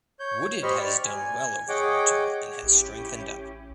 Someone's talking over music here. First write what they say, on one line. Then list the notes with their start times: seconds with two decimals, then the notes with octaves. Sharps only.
Wooded has done well over the winter and has strengthened up.
0.20 C#5 G6
0.63 G4 C5 D#5 B5 C#6 F6
0.79 G4 D5 C#6 F6
1.04 G#5
1.69 G#4 C#5 D#5 F#5 G5 D6
2.63 A1 C#4 E4 G4